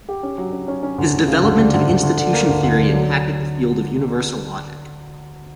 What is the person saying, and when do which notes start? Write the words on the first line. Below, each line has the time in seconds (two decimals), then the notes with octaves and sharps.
His development of institution theory impacted the field of universal logic.
0.09 G4
0.23 C#4
0.38 F#3
0.52 C#4
0.68 C#4
0.83 C#4
0.98 D2
1.13 D2
1.28 C#3
1.43 D2
1.58 G3
1.74 D2
1.88 D2
2.03 D2
2.18 D3
2.33 A#3
2.48 D2
2.63 D2
2.78 D3
2.93 F#3